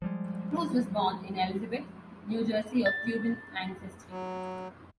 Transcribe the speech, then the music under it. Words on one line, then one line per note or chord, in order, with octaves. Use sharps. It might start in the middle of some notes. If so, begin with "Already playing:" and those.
Cruz was born in Elizabeth, New Jersey of Cuban ancestry.
F3 G3 G#3
A6
F#3